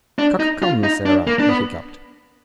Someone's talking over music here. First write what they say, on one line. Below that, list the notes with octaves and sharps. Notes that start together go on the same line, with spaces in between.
"Cuc-come, Sarah," he hiccuped.
D4
D#4
F4
D#4
D4
A#3
D4
B3